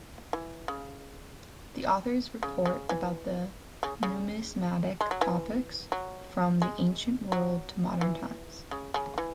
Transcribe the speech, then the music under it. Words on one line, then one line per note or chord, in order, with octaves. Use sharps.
The authors report about the numismatic topics from the ancient world to modern times.
E3
C#3
C#3
C#3
E3
C#3
C#3
G#3
F#3
E3
F#3
G#3
F#3
E3
C#3
C#3
E3